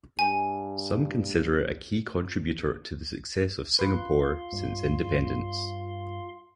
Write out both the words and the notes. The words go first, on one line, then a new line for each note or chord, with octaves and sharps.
Some consider it a key contributor to the success of Singapore since independence.
G2 G#5
F4 B4 F5 C6
G2